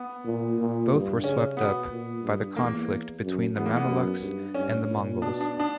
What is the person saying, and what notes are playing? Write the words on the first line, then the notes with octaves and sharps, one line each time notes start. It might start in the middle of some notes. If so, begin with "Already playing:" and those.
Both were swept up by the conflict between the Mameluks and the Mongols.
Already playing: B3
A#2
A#2
G2
C#3 C#4
B2 B3
A#2
G2
E2 A#3
F#2
E2 B3
A#3
B3
F#2
G2
G2 C#4
A#2
B2 D4
D4
D4